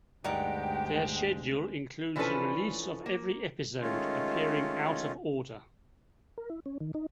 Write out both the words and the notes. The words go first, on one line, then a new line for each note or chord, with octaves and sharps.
Their schedule includes a release of every episode, appearing out of order.
D2 G2 G#3 D#4 G4 A#4 F#5 G5
E3 F3 C#4 D4 A4 B4
A#3
D#3 G#3 A3 C#4 F4
A#4
E4
C#4
D#3
D#4